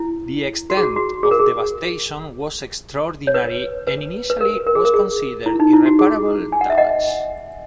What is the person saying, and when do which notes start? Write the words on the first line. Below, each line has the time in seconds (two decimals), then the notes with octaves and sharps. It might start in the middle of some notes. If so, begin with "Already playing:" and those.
The extent of devastation was extraordinary and initially was considered irreparable damage.
Already playing: E4
0.70 F#4
0.77 G#4
0.83 F#4
0.96 F#4
1.23 G#4
1.31 A#4
1.39 G#4
3.27 C#5
3.34 B4
3.87 B4
4.30 B4
4.41 A#4
4.67 A#4
4.75 G#4
4.85 A#4
4.94 G#4
5.46 E4
5.60 D#4
5.73 E4
5.86 F#4
5.99 G#4
6.52 G#5
6.61 F#5
6.70 E5
6.78 D#5 F#5